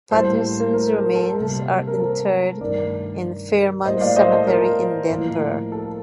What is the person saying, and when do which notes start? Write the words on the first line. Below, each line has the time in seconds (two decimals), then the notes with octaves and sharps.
Patterson's remains are interred in Fairmount Cemetery in Denver.
0.11 A2 G3 A#3 A4 C5
0.73 A#4
0.95 A#4
1.15 A4
1.36 C3 G3 A#3
1.87 A#4
1.98 A4 C5
2.61 G2 D#3 A3 A#4 D5
3.85 A2 G3 A#3 C5 D#5
4.01 D5 F5
4.16 C5 D#5
4.32 A4
4.47 A#4
5.10 A2 F3 A#3
5.72 A4